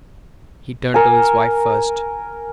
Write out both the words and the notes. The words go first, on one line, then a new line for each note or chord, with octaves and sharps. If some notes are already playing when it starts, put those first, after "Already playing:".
He turned to his wife first.
A#4 G#5